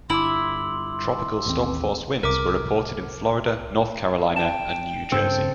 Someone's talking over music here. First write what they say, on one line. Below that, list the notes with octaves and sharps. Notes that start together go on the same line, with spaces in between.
Tropical storm force winds were reported in Florida, North Carolina, and New Jersey.
G1 E4 C6 D6 E6 F#7
A1 D#2 C4
C2 A#4 D6
G5 A5
G2 C#3 B3 C4 D4 A4 G6